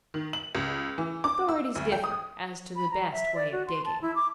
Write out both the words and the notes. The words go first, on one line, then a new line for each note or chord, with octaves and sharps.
Authorities differ as to the best way of digging.
D#3
F#7
C#2
E3
D6
E6
D2
G5
D#6
B5
A#5
E5
D5
F#4
C6
A5
E4
D6